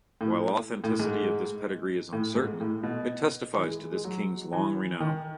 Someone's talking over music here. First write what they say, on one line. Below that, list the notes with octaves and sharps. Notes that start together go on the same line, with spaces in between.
While authenticity of this pedigree is uncertain, it testifies to this king's long renown.
A2
A2
G#2
A2
G#2
A2
B2
E3
G#3
G#3
F#3
E3
D#3